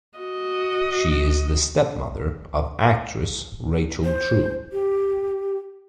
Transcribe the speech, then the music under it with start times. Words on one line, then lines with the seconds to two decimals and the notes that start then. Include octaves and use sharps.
She is the stepmother of actress Rachel True.
0.18 F#4 D#5
4.05 C5
4.73 G4